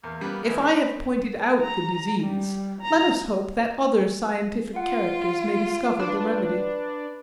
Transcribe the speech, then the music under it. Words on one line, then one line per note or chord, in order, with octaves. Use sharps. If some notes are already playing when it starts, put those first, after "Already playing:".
If I have pointed out the disease, let us hope that other scientific characters may discover the remedy.
E2 A#3
G3 B3
A1 D#3 G#3 B5
C4
A#5
G3
A#5
F4 F#5
D4 B4